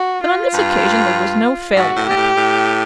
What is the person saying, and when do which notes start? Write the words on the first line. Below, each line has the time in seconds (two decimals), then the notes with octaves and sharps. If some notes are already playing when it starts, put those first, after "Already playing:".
But on this occasion there was no failure.
Already playing: F#4
0.22 F4
0.54 G2
1.75 G#2 F#4
1.96 A2
2.07 G#2 G4
2.16 A2
2.37 A2